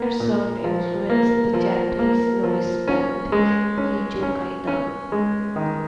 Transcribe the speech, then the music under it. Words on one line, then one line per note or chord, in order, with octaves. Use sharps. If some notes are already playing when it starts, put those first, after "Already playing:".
Their sound influenced the Japanese noise band Hijokaidan.
Already playing: A#3
A#2
F3
A#3
F3
A#3
F3
C#4
G#3
C#4
C#4
C#4
G#3
D#3